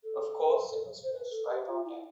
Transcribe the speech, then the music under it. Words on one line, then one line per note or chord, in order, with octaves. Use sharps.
Of course, it was finished right on time.
A4
C5
B4
A4
G4
F4
E4